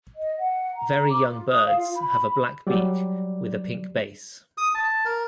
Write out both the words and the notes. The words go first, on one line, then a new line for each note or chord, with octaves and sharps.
Very young birds have a black beak with a pink base.
D#5
F#5
A#5
D6
F4
D#6
F5
F4
B5
F#3 G3 D5
D#6
A5
A#4